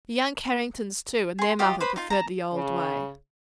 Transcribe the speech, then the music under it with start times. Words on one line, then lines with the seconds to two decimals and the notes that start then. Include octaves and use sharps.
The young Carringtons too, and their mother preferred the old way.
1.39 G#4 C6
1.59 F4 G4 D#5
1.80 B4 C5 B5
1.96 D#4 F4
2.10 A5 A#5
2.54 C#3